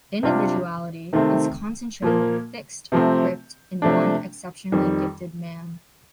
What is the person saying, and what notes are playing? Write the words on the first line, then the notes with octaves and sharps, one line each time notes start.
Individuality is concentrated, fixed, gripped in one exceptionally gifted man.
C3 G3 D4 F4
C3 D#3 A3 C4
A#2 F3 A#3
C3 F3 A3 C4
C3 F3 A3 D4
F2 D#3 G3